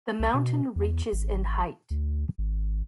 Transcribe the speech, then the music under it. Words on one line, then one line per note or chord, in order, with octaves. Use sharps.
The mountain reaches in height.
C2
B2
E2
G#1
D2
G#1